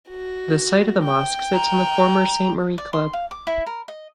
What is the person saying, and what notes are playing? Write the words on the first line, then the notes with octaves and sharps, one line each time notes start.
The site of the mosque sits on the former Saint Marie Club.
F#4
G5
A#5
D5
C6
F5
D6
E4
A#4
D#5